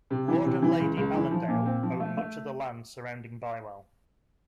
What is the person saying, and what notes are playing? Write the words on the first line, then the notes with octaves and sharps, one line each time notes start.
Lord and Lady Allendale own much of the land surrounding Bywell.
C3
E3
C3
E3
C#2
C#2
E3
F3
A#2
C4
F3
A3
A3